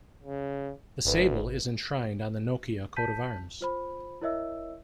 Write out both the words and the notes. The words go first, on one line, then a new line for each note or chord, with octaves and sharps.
The sable is enshrined on the Nokia coat of arms.
C#3
G#1 D2 B4
A5 G6 B6 D#7
F4 C5 B5
E4 A#4 C#5 D#5 E5 E6